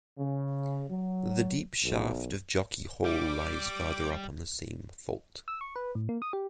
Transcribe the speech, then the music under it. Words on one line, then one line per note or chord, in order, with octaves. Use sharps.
The deep shaft of Jockey Hole lies further up on the same fault.
C#3
F#3
B1
G3 D6
E6
C#6
B4
A2
A#3
D#6
G4